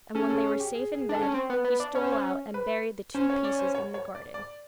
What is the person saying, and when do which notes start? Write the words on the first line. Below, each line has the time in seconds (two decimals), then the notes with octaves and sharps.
And when they were safe in bed he stole out and buried the two pieces in the garden.
0.15 C#4 A4
0.30 A4
0.45 G#4
0.60 G4
0.75 G#4
0.94 G#4
1.09 D4
1.14 A4
1.22 C#4
1.34 C4
1.50 B3
1.64 B3
1.80 D4
1.95 C#4 C#5
2.04 C5
2.12 C#5
2.54 B4
3.15 C#4 C5
3.30 C#5
3.44 D5
3.59 C5
3.75 C#5
3.94 C#5
4.15 D5
4.34 D5